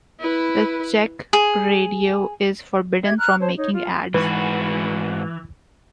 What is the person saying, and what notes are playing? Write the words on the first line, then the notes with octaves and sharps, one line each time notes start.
The Czech radio is forbidden from making ads.
E4 B4
G#4
G4 E5 G#6
A#5 F6 F#6
C5 C#5 A5
D#4 C#5
F4
G#2 E3 F#4 B4